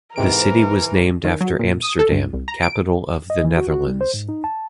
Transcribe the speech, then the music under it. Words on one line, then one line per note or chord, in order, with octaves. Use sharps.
The city was named after Amsterdam, capital of the Netherlands.
G#2 C3 E3 A#4 D7
D#3
F#3
A#2
D#6
A4
G2
C2
A#5
D7
D#5
E3
F#4
F#4
G3
C5
G#2
D#4
A5